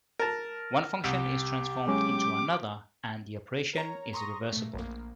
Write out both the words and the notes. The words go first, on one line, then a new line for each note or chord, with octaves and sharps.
One function is transformed into another, and the operation is reversible.
A#4 A5
C2 G4
F#3 G#3 C#4 D6
A#4 C#5 A#5
A#5 C6 C#6 D#6 A#6
A#2 A3
A#1 A#3